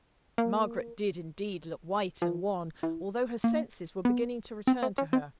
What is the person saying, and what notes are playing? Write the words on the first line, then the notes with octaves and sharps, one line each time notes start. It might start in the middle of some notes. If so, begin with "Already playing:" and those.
Margaret did indeed look white and wan, although her senses were beginning to return to her.
A#3
F3
E3
A#3
B3
C4
C4
C#4
C4